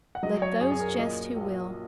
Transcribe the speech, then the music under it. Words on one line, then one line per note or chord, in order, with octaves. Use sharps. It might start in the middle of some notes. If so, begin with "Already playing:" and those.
Let those jest who will.
F#5
F#3 D#5
C#5
F#2 G#4
G#4
A#4
A#2 D#5
A#1